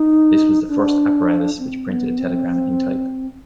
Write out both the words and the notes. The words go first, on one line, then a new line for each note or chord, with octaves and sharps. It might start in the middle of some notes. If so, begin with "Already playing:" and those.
This was the first apparatus which printed a telegram in type.
Already playing: D#4
D4
C4
B3
C4